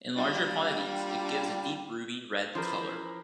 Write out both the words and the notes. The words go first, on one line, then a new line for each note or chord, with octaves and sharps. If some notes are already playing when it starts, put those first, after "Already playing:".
In larger quantities, it gives a deep ruby red colour.
G3 A#3 D4 F4
E3 F3 C#4 G#4 A#4 C5 B5